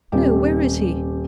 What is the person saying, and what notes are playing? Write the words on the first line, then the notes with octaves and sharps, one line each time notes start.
"No, where is he?"
D#1 C3 G4